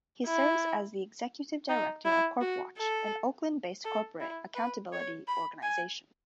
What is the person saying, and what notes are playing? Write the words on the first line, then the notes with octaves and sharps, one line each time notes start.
He serves as the executive director of CorpWatch, an Oakland-based corporate accountability organisation.
E4
D#4
E4
F#4
A4
A4
E4
B4
C#5
B5
G#5